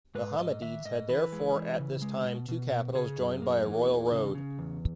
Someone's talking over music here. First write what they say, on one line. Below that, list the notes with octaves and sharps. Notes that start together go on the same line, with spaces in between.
The Hammadids had therefore at this time two capitals joined by a royal road.
G#2 B4
G#2 D#5
D#3 E5
G#2 D#5
E3 B4
G#3
E3
C#3
G#3
B2
B2
B2
C#3 G#4
F#2
A#3
E3
E2
C#3
C#3
E2